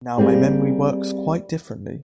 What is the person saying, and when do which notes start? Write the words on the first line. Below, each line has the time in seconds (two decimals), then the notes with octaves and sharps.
Now my memory works quite differently.
0.18 G3 A#3 C4 G#4